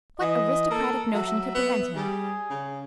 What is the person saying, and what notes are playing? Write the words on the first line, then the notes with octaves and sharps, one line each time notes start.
What aristocratic notion could prevent him?
E3 D#5
A#3 A4
F#3 E5
B3
G3 G#4
C#3